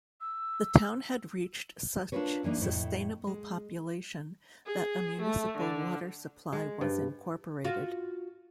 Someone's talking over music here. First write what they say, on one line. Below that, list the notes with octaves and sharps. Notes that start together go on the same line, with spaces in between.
The town had reached such sustainable population that a municipal water supply was incorporated.
E6
D4 F4 G#4 A#4 B4 C#5
D2 E3 A#3 D4 D#4
F2 A2 E4
G#3
G#4
A3
D3
G#3
G2
F4 F#4